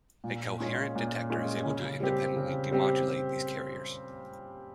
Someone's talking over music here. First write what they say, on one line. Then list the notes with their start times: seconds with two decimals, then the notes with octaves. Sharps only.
A coherent detector is able to independently demodulate these carriers.
0.24 A#2
0.60 G#3 C#4 F4 G#4
0.95 A#2
1.30 G#3 C#4 F4 G#4
1.65 C#3
2.00 G3 C4 G4
2.36 C#3
2.71 G3 C4 G4